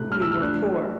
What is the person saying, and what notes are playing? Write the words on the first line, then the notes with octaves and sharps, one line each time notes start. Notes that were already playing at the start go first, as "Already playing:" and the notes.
We were poor.
Already playing: C3 A3 F#6
F6
E6
F6
F3 A3 D4 F#6